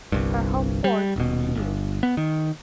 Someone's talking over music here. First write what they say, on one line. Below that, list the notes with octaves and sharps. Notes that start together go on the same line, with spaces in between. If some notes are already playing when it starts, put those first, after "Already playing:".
Her home port is Kiel.
G1 C2 G2
G3
D#1 B2
G1
B3
D#3